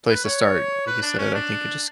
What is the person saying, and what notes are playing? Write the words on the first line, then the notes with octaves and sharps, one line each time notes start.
place to start. Like you said, I think you just
B4
C#5
B4
D4
C#4
D4